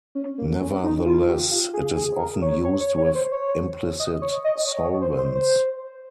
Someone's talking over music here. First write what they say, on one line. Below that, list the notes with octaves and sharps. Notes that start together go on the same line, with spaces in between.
Nevertheless, it is often used with implicit solvents.
C#4
A#3
C#4
D#4
F4
G4
F4
G#4
G#4
A#4
C#5
C#5
C#5
C#5
C5
C#5
D#5
C#5
D#5
C#5
C#5
C5
C5
C5